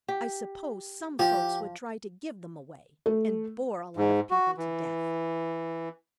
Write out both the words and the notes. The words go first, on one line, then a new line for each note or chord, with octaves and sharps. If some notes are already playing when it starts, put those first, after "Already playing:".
I suppose some folks would try to give them away, and bore a lot of people to death.
G4
F3 G4
A3
G#2
F#4
E3